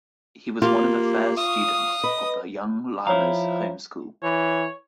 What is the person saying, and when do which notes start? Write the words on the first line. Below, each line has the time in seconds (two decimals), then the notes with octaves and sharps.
He was one of the first students of the Young Lamas Home School.
0.62 A#3 F4 G4
1.37 F5 C#6 D#6
2.04 B4 D#5
3.07 F3 E4 C#5 F5 A#5
4.23 E3 C#5